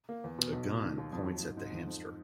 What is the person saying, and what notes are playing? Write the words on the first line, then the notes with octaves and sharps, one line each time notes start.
A gun points at the hamster.
A#3
E2
B2
B1
B1
D#3
D#2
F2
F#3
G#2
G#2
F2
F2